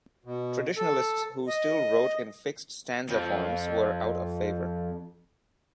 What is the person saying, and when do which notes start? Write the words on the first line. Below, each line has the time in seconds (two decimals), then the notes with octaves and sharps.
Traditionalists who still wrote in fixed stanza forms were out of favor.
0.25 B2
0.77 A4
1.47 D#5
3.09 F2 F3